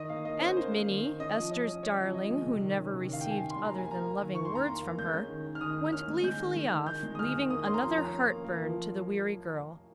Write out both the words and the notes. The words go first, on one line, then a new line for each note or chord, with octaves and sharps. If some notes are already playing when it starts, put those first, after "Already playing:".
And Minnie--Ester's darling, who never received other than loving words from her--went gleefully off, leaving another heartburn to the weary girl.
Already playing: D#3 D#5
A#3 F5
A#3 D#5
C#4 C5
A#3 C5
A#3
D#3
D#3
C#4 D#5
F3
C#4 D#5
C#4
C#4 C#5
F3
F3 D#5
G#3
C3
D#3
C#4
C3
D#3 F5
D#3 G5
G#5
C3
C6
G3
A#5
A#3
G#5
A#3 A#5
A#3
D#3
D#3 C#6
C6
A#3
A#5
A#3 C6
A#3
G#3 G6
C#4
D#3
D#3
F6
D#3 D#6
D#3
C#4 F6
G#3
G#3 G6
D#3
G#3
D#3
D#3 G6
G#3
D#6
G#3 F6
D#3
A#3 D#6
C#4 C6
A#5
F3 C6
C#4 A#5
C#4
A#3
A#3
F3